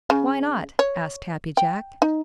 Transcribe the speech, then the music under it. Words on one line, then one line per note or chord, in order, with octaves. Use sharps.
"Why not?" asked Happy Jack.
C#3
C#5
G5
D#4